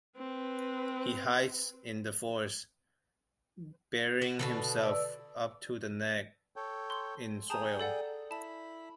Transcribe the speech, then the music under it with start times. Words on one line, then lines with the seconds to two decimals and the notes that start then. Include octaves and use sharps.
He hides in the forest, burying himself up to the neck in soil.
0.17 C4 B4
4.22 F#4
4.39 B2 D3 E3
4.82 B4 D5 E6
6.56 A4 C#5 G5
6.90 C6
7.50 G#4 G5 A5 A#5 D#6
7.79 A4 D5 F#5
8.31 E4 A5 B5